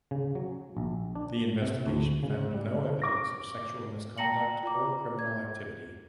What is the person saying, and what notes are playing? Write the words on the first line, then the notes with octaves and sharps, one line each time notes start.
The investigation found no evidence of sexual misconduct or criminal activity.
C#3
F#3
A#1
D4
C3
D2
C#3
G3
D6 A#6
G5 A5 A#5 A#6 C#7 F#7
F4 D5 A#5 D6
G#6